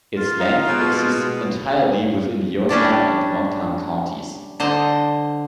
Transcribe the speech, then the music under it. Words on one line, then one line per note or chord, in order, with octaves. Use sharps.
Its length exists entirely within Ionia and Montcalm counties.
F4
D#4 F5
B2 G#3
G3 C#4 D4 D5
D3 C5 D#5